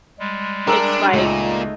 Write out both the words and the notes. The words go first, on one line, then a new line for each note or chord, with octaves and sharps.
it's like
G3 G#3
D4 G#4 A#4 D5 E5 G5 A#5 E6
C#2 A#2 A3 D#4 D#5